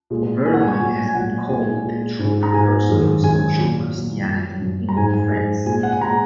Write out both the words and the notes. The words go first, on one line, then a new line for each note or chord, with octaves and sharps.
Oberlin has been called the true precursor of social Christianity in France.
A#2 G#3
A#2 G#3 G#5
F#5
G#5
C#6
A#2 F#3 G#5
G#5
G#5
A#2 F#3 F#5
A#2 G#3 G#5
A#2 G#3
G#2 G#3
A#5
G#2 G#3 G#5
F#2 D#3 G#3
F#2 D#3 G#3 G#5
A#2 F#3
A#2 F#3
F#2 F#3
F#2 F#3
A#5
G#2 G#3 G#5
G#5
G#2 G#3
A#2 G#3 G#5
F#5
G#5
A#2 G#3 A#5